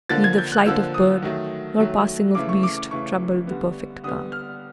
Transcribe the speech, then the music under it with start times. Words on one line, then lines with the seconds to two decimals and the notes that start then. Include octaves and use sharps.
Neither flight of bird nor passing of beast troubled the perfect calm.
0.09 D3 F3 A#3 A6
0.24 G#6
0.38 G6
0.52 F#6
0.66 D3 F3 A#3 E6
0.94 D#6
1.22 D#3 F#3 A3
1.79 D#3 F#3 A3
2.35 C#3 E3 A3 D6
2.49 C#6
2.63 D6
2.77 D6
2.91 C#3 E3 A3 C#6
3.47 D3 G3 B3
4.03 D3 G3 B3 D#6
4.32 F6